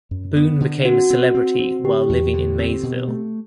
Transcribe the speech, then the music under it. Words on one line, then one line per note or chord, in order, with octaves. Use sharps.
Boone became a celebrity while living in Maysville.
F#2
B3
D3
C4 F#4
C4
C4
C4
D3 G4
E2
D3
C4
B2
A3